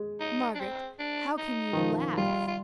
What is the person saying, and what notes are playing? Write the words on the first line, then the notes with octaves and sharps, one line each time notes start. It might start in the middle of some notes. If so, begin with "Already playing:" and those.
"Margaret, how can you--laugh!"
Already playing: G#3
D#4
D4
C4
D4
D#4
D#3
F3
G3 F4
F4